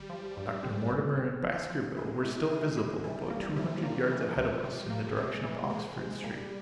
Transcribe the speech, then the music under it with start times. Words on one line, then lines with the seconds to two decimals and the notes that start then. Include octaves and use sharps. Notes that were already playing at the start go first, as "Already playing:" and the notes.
Dr. Mortimer and Baskerville were still visible about two hundred yards ahead of us in the direction of Oxford Street.
Already playing: G#1 G3
0.10 F3
0.37 G2
0.63 C4
0.90 G#1
1.17 C4
1.43 F3
1.70 F3
1.97 G#3 E4
2.23 E4
2.50 E3 G#3
2.77 E4
3.04 E3 G3
3.30 A#3
3.57 F3 E4
3.83 A#3
4.10 E3 F3
4.36 C2
4.63 C3 G3
4.90 A#3
5.17 C3 G#3
5.44 E3
5.70 G#3 A#3
5.96 C3
6.24 A#2 G3